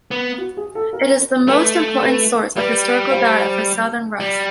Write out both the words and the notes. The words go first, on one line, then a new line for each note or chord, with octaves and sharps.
It is the most important source of historical data for southern Rus'.
B3
F#4
G#4
A4
A#4
A3 B4
B4
G3 B4
C5
G3